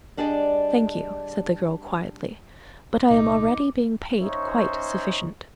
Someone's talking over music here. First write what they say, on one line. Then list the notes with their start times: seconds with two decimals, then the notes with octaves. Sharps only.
"Thank you," said the girl quietly, "but I am already being paid quite sufficient."
0.17 G3 D4 G#4 D5 D#5
3.09 C2 A#2 D#4 D6
4.20 C#4 D#4 C5 C#5 E5 C#6